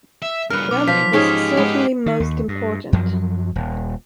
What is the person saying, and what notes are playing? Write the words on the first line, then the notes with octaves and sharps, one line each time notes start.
Brandt was certainly most important.
E5
G2 C#3 A#4 B4 F6
B1 D6
F3 F4 B6
G#2 C#4 G4 G#4 D#5
G#3 B3 G4 B4
D#3
D#2
G2
F#2 F3 F#3
D#1